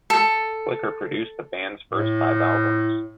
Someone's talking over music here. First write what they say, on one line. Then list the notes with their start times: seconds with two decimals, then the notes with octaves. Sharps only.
Flicker produced the band's first five albums.
0.10 A4
1.93 A2